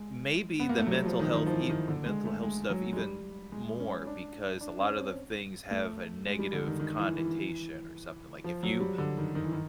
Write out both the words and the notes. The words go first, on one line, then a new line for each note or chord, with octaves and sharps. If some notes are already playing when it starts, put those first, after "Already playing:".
maybe the mental health ev mental health stuff even more, because a lot of the things have a negative connotation, or something. Like, if you
Already playing: G#3
B3
A#3
A3
F#3
G3
F3
D#3
D#3
F3
E3
D#3
D3
G#3
A3
G#3
F#3
G#3
G3
G#3
C#4
D4
D4
C#4
C4
A3
G#3
G3
D3
D#3
D#3
E3
E3
F3
F#3
G3
D3
D#3
D#3
E3
D#3